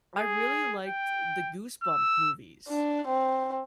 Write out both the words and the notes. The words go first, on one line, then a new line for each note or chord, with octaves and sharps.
I really liked the Goosebump movies.
G#4
G5
E6
D4
C4